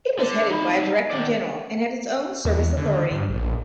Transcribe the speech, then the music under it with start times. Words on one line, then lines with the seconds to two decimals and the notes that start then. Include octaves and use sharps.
It was headed by a Director-General and had its own service authority.
0.19 D3
0.50 D#4 B5
1.11 D#3 D5
2.45 E2
2.77 D3
3.11 G2
3.30 A#1